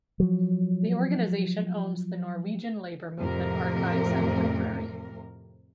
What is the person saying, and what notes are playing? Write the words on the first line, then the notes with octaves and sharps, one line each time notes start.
The organization owns the Norwegian Labour Movement Archives and Library.
F3 F#3
F2 A2 C3 F3 A3 A#4